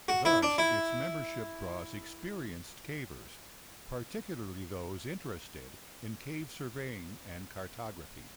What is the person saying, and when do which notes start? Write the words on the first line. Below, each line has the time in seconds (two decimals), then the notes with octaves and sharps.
Thus, its membership draws experienced cavers, particularly those interested in cave surveying and cartography.
0.08 F#4
0.25 E4
0.43 D4
0.58 E4